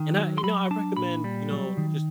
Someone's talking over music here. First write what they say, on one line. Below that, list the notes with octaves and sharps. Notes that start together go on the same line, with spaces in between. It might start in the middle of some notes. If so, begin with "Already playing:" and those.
And I you know, I recommend, you know, just
Already playing: D#3 G5
F#3
C6
F#3 B5
D4 A5
A#2 B5
G3
F#3
D#3